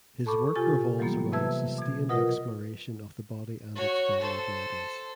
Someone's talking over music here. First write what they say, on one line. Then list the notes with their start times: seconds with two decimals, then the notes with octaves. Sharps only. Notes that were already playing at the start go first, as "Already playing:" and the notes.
His work revolves around sustained exploration of the body and its vulnerabilities.
0.26 A4 A5 B5 C#6 D6
0.56 C3 F4 G4 G#5 A6
0.99 E3 F#3 G3 A#3 B3
1.33 C3 B4 E5 A5 E6 G#6
1.78 B2 G#6
2.09 F4 A#4 B4 D#5 F#5 D#6
3.75 F#4 C#5
4.20 A4 C5